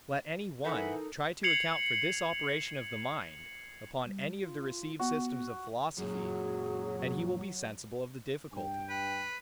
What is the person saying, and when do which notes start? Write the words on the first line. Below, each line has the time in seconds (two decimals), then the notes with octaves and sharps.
Let any one try to account for this operation of the mind upon any of the received systems of philosophy, and he will be sensible of the difficulty.
0.65 E3 D#4 A4 A#4 E5 F#5 B5
1.43 G#6 C7 C#7 F7 F#7
4.04 G3
4.40 F4
4.99 B3 F#4
5.98 F#2 A#2 F#3 G#4
8.53 G2 G5
8.90 B4